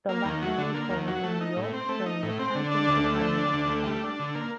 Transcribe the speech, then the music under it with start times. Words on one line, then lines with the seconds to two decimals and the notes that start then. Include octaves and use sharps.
The latter was born in New York during the championship reign of the first.
0.09 A#3
0.25 D#2
0.42 F#3
0.58 D3
0.74 A#3
0.90 D#2
1.08 F#3
1.23 A3
1.41 D#4
1.56 A2
1.73 C4
1.89 A3
2.06 D#4
2.23 A2
2.39 C4
2.55 D3
2.72 D4
2.87 D2
3.04 A3
3.21 D3
3.38 D4
3.53 D2
3.70 A3
3.86 G3
4.03 D4
4.20 D3
4.35 A#3